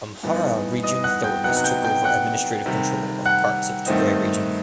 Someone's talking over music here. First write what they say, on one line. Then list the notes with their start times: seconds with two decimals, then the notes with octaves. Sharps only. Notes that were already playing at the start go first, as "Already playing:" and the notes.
Amhara Region authorities took over administrative control of parts of Tigray Region.
0.23 G2 E3 B3 D#4
0.84 D#5 D#6
1.04 F#5 F#6
1.24 G5 G6
1.44 C3 F#3 B3 D#4 F#5 F#6
1.57 F#6
1.64 G5 G6
1.84 G5 G6
2.04 F#5 F#6
2.66 C3 D#3 G3
3.26 F#5 F#6
3.86 G2 D#3 A3 C4 D#4